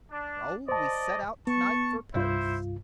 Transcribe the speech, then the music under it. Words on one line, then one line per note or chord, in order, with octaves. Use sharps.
"Raoul, we set out to-night for Paris."
D4
C5 D5 D#5 A5
B3 A5 C#6
C2 G2 E4 F4 C5